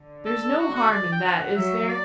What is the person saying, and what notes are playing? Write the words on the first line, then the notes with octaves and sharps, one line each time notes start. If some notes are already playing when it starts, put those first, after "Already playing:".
There's no harm in that, is there?
Already playing: D3
A4
A4
F#4
F#4
D5
G5
F#5
F#3 E5
D5